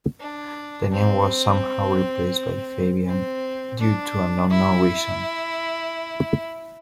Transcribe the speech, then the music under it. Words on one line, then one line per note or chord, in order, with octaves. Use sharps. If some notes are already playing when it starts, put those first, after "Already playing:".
The name was somehow replaced by Fabian due to an unknown reason.
D4
C4
C4
D4
E4